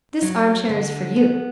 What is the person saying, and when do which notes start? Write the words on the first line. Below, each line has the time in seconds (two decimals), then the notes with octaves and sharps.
This armchair is for you.
0.22 F#3
0.69 D3
1.16 B3